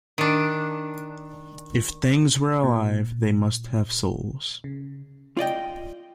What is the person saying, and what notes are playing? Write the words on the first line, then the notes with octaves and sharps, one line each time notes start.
If things were alive, they must have souls.
D#3 D4
A#2
C#3
F4 D5 D#5 G5